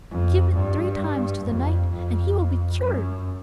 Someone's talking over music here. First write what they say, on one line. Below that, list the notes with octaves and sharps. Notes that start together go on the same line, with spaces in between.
Give it three times to the knight and he will be cured.
F2
G2
F2
F2
F#2